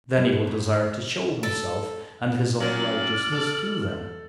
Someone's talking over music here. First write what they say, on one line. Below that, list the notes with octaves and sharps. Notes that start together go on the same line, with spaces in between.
Then He will desire to show Himself and His own righteousness to them....
G3
B4
G#2
A4
F#3 C#4 D5 F6 F#7
A4